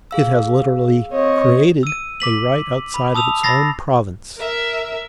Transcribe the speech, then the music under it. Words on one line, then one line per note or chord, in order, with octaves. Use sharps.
It has literally CREATED a right outside of its own province.
G#4 F5 E6
C4 C#5 D#5
E6 D#7
D6 B6 F#7
B5
A5 D#6 E6 F7
B5 E6 A6 A#6 C7
A#4 E5